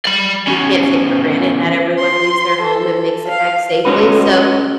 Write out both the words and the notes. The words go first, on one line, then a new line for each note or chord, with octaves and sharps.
we can't take for granted, not everyone leaves their home and makes it back safely, so,
D5 B5
E2 C#4
C6
A4
F5
G#3 C#4 F#4 B4